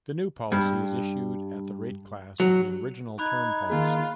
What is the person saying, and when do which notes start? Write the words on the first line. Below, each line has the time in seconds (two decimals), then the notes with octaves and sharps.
The new policy is issued at the rate class of the original term policy.
0.52 G2
2.40 F#3
3.19 D#4 B5 F#6 G#6
3.70 D#3 A#3 F4 G#4